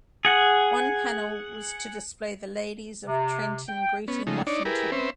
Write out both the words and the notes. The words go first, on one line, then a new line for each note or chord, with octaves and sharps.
One panel was to display the Ladies of Trenton greeting Washington.
G#4 F#5
C3
G5
B3 C#4
C#3 F3 G#3 A3 D#4
D4 D#4 C#5 D5
E4 G4 G#4 A#4 B4
C4 C#4 B4 C5 E5